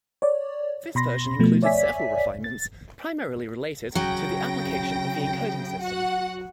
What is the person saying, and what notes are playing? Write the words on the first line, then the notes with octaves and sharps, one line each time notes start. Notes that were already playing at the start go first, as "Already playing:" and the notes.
This version included several refinements, primarily related to the application of the encoding system.
C#5 D5
B2 B5 C6 A#6
B2 F3 A3
C#5 D5 E5 G#5 B6
A6
C#3 F#3 G5 A#6
F#4 F#5